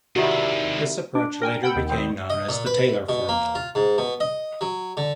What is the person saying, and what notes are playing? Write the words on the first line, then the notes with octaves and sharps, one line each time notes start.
This approach later became known as the "Taylor Formula".
G#2 C3 D#3 G3 E4 F#4
D4
A#4 G5 G#5
F#5 G5 B5 E6 G6
D#2 D#3
D#3 G3 C4
D#5
A#2
B4
B2
A#3
F4
G#2
B2
D#5
F#3
D3